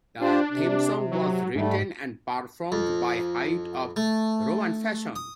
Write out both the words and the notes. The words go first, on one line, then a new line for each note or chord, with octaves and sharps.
The theme song was written and performed by Height of Roman Fashion.
D4 F4 G4 C5
C3 D4
F#3
G#2 G3 A3
F2
A3
D#6